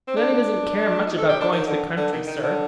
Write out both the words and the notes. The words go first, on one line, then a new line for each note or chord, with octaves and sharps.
"Nanny doesn't care much about going to the country, sir."
C4
D4
D#4
A4
G4
D4
D#3
D3
D3
D#3
D#3
D3